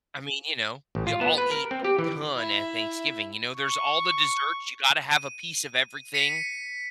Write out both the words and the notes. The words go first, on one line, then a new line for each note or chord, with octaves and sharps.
I mean, you know, we all eat a ton at Thanksgiving. You know, there's all the desserts. You gotta have a piece of everything.
A1
F4
B3
B4
A#4
C4
G4
E3
E4 E5
C#6
D#7
B6 C#7 D#7